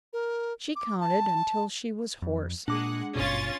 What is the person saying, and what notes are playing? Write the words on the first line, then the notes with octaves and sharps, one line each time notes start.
She counted until she was hoarse.
A#4
D6
A5
F2
A#2 G#3 D4 F#5 D6
G#1 G2 B2 C#4 F4 A6